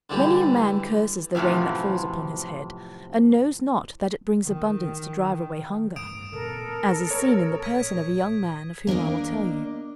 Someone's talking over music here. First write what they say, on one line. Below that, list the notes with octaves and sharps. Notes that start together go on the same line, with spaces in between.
Many a man curses the rain that falls upon his head, and knows not that it brings abundance to drive away hunger; as is seen in the person of a young man of whom I will tell you.
D3 E3 G3
F#2 A2 C3 E3 F3
D#3
A1 G2 D#6 D7 E7
A1 A#2 C4 A4 A#4
C#5
G#6 B6 D#7
A#3 D4 A#4 D#5